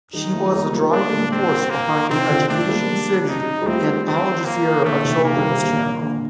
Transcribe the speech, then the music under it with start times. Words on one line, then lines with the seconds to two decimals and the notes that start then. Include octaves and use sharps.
She was a driving force behind Education City and Al Jazeera Children's Channel.
0.13 D#3 G3 D#4
0.33 F3 A3
0.52 G3 A#3
0.73 F3 A3
0.92 G3 A#3 D4
1.12 A#2 D3
1.31 C4
1.70 A#3
2.10 C3 D#3 C4
2.29 D3 F3
2.49 F3 A3 D4
2.68 G3 A#3
3.28 D#4
3.62 G3
3.66 F3 A3 C4
4.07 C4
4.45 A#3
4.85 A#2 D3 A3
5.04 C3 D#3
5.24 C3 D#3 A#3
5.36 D#3 G3
5.49 C3 D#3
5.63 A#2 D3
6.02 A#2 D3